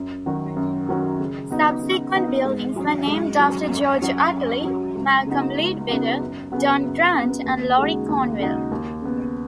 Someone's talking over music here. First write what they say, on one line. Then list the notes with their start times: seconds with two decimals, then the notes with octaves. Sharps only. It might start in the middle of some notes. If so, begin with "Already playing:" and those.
Subsequent buildings were named after George Uttley, Malcolm Leadbetter, Don Grant and Laurie Cornwell.
Already playing: F#2
0.26 D#3 F#3 C#4 F#4
0.57 F#2
0.89 D#3 F#3 C#4 F#4
1.19 C#3
1.51 B3 D#4 F#4
1.83 C#3
2.13 B3 D#4 F#4
2.45 G#2
2.76 F#3 C#4
3.07 G#2
3.39 F#3 C#4
3.70 F#2
4.02 F#3 C#4 F#4
4.33 F#2
4.64 F#3 C#4 F#4
4.95 C#2
5.27 C#3 B3 D#4 F#4
5.58 C#2
5.89 C#3 B3 D#4 F#4
6.21 F#2
6.52 C#3 B3 F#4
6.83 F#2
7.14 C#3 B3 F#4
7.46 D#2
7.78 C#3 G#3 D#4 F#4
8.09 D#2
8.39 C#3 G#3 D#4 F#4
8.72 D#2
9.02 C#3 B3